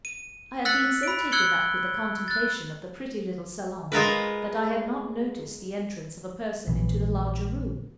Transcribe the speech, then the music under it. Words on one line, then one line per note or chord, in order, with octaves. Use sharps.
I had been so taken up with the contemplation of the pretty little salon that I had not noticed the entrance of a person into the larger room.
D#7
E6 F#6 A6 B6 C#7 F#7
B5 D7
E6 F#6 G#6 C#7 F#7 G7
F#6 A6
G#3 F4 A#4 B4
A#1 E3